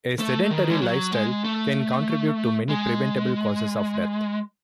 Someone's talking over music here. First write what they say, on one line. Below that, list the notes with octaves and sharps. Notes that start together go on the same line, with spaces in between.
A sedentary lifestyle can contribute to many preventable causes of death.
A3
D#3
G#3
F#3
G#3
A3
G#3